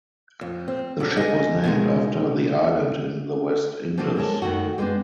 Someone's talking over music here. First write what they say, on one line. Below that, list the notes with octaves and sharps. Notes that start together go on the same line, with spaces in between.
The ship was named after the island in the West Indes.
F2
C4
F#3 D4
D#5 G#5
B2 D#3 G#3
F3 F#3 A3 D4 F#4
G#3 A#4 C#5 A5
F#2 D#3 F#3 A3 F#4
G3 G#3 B3 C4 D4